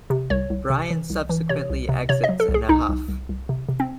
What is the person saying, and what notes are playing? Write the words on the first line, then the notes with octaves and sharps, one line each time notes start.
Brian subsequently exits in a huff.
C3
C2 C#5
C2
C3
E3
C2
E3
C3 C#5
C2
C3
C3 C#5
D#5
F#3
A4
C2
G#4
C2 D#4
C2
C2
C2
C3
C3
C4